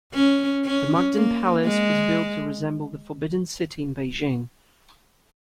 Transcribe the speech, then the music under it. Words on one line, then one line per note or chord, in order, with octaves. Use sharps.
The Mukden Palace was built to resemble the Forbidden City in Beijing.
C#4
C#4
A#3
G#3